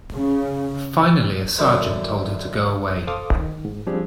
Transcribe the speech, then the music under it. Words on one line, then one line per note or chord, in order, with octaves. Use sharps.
Finally a sergeant told her to go away.
C#3
F#2 D3 D#3 C4 E4
A4 C5 F5 C6 D6 D#6
D#3
G#2
F3 G3 C4 D4 G4 G#4